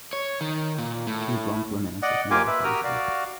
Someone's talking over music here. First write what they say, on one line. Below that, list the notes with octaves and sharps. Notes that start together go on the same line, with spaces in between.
Two blond women are sitting by a fountain.
C#5
D#3
A#2
A2
D5 D#5 F#5
A#3 F4 G4 G#5 D6
B4 E5
F#4 G4 A#4 G5 D#6 F6
F#4 D5 F5